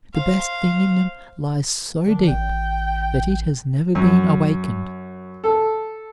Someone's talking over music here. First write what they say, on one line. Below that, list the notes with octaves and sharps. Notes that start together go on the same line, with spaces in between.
The best thing in them lies so deep that it has never been awakened.
C5 F5
D#3 D4
A1 G5
F#2
A4